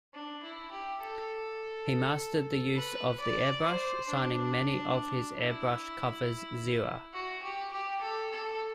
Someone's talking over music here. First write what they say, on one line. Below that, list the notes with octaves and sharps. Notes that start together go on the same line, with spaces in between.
He mastered the use of the airbrush, signing many of his airbrushed covers "Xela".
D4
E4
G4
A4
B4
D5
C5
D4
E4
F#4
G4
G4
A4
A4